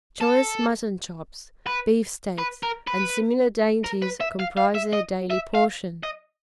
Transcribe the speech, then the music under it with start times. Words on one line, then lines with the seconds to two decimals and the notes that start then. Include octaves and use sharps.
Choice mutton-chops, beef-steaks and similar dainties comprise their daily portion.
0.21 A4
1.67 B4
2.39 B4
2.63 A#4
2.88 B4
3.84 A#4
4.02 B4
4.21 E5
4.40 F5
4.57 F5
4.75 E5
4.93 D#5
5.30 E5
5.54 F5
6.03 D#5